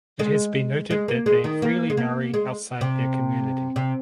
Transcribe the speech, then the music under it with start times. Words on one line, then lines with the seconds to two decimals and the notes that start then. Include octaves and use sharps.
It has been noted that they freely marry outside their community.
0.19 G#3
0.90 G#3
1.08 A#3
1.26 G#3
1.44 D#3
1.62 A#3
1.90 G#3
1.97 A#3
2.34 G#3
2.81 C3
3.76 C3